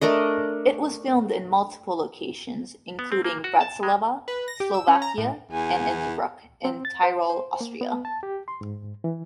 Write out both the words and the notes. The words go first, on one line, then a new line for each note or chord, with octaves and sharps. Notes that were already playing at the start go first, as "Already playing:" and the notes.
It was filmed in multiple locations, including Bratislava, Slovakia and Innsbruck in Tyrol, Austria.
A3 D4 A#4 D#5
B3
C4
A#3
F#4
A5
G#3
B4
A#6
G4
E6
C#4
A#5
A2
E2 G#5
C4
A6
C5
C5
A#3
B3
A5
G4
C6
G#2
E3